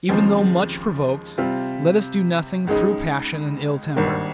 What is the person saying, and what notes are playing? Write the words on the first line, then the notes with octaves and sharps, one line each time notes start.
Even though much provoked, let us do nothing through passion and ill temper.
D#2 C#3 F3 G#3 C4
C3 G3 C4 F4
C#2 C#3 G#3 D#4
G#1 G2 D#3 A#3